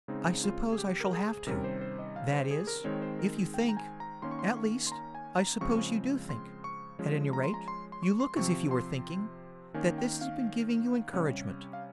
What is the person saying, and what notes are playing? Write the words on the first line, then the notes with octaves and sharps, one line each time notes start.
'I suppose I shall have to--that is, if you think--at least, I suppose you do think--at any rate, you look as if you were thinking--that this has been giving you encouragement.'
C#3 G#3 C4 D#4
D#4
F4
G#4
G4
A#4
G#4
C3 D#3 G3 C#4 A#4
C5
C5
D#5
F5
C5
G#4
A#4
D#3 G#3 C4 C#5
C5
A#4
G#4
G5
A#5
G#5
A#5
D#3 A#3 C#4 C6
C#6
C6
C#6
C6
A#5
G#5
A#5
C#3 F3 G#3 C4 C#6
C6
C#6
F3 G#3 C#4
A#5
C6
A#5
C6
C6
C#6
C6
C3 F3 C4 C#6
C6
D#3 A#3 C#4 G#5
G5
F5
C3 G3 C#4
F5